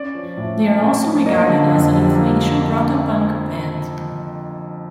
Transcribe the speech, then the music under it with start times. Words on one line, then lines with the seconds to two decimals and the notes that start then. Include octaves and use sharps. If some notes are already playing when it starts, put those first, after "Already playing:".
They are also regarded as an influential proto-punk band.
Already playing: C#4 D5
0.15 F3
0.37 A2
0.59 A3
0.81 C#4
1.04 F3
1.26 A#3 D#5
1.48 D3
1.71 F2
1.93 G3
2.15 A#3
2.37 D3